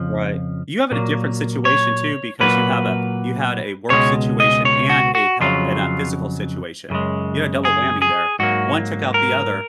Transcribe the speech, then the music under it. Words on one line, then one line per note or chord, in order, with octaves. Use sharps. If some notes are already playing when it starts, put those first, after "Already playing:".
Right. You have it a different situation, too, because you have a you had a work situation and a health and a physical situation. You had a double whammy there, one took out the other.
Already playing: F2 C#3 F3
A#2 F#3 A#3
C#5
A#2 F#3 A#3 B4
C#2 B2 G#3 C#5
D#5
C#5
F#4
F#4
F2 C#3 F#3 F4
F#2 C#3 G#3
G#4
G#4
G#2 F#3 A#3 F#4
A#4